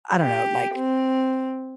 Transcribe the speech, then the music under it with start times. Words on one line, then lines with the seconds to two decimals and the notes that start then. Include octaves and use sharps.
I don't know, like,
0.21 G4
0.74 C4